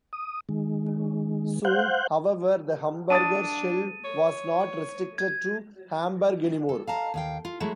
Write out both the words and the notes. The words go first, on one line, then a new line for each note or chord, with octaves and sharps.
Soon, however, the "Hamburger Schule" was not restricted to Hamburg anymore.
D#6
D#3 G#3
C5 F5 F#5 F#6 G6
D4 A5 D#6 A6 D#7
C#5
G#6
A4
F5 A5 A#5
D#2 F5 G5
F4
F#3 G#3 A3 E4 F#4